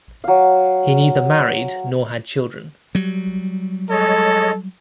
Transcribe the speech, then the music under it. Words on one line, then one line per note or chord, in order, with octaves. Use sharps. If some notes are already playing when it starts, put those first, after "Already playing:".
He neither married nor had children.
F#3 F5
F#3 G3
G#3 A4 C#5 D#5